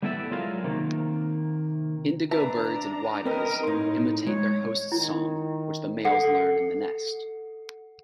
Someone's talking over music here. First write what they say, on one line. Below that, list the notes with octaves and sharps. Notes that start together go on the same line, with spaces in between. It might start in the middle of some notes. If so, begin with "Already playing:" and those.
Indigobirds and whydahs imitate their host's song, which the males learn in the nest.
G3 B3 E4 A4 D5 E5
F#3 G#3 F4 G#4 A#4 F5
C3 D#3 A#3
D4 B4 E5 A5 A#5
C4 A#4 B4 D#5
A2 D#4 C6
G#3 C#5
D#3 E4
A4 F#5 C7 C#7